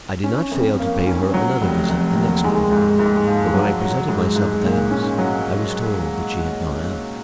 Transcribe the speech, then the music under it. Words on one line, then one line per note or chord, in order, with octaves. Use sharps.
I did not fail to pay her another visit the next morning, but when I presented myself at the house I was told that she had gone out.
C#4
F2
A#3
C#4
F#3
F1
F1
D#2
G#3
G#2
G#2
F3
F#3
F#3
G#2
G#2
A#2
C#4
F#3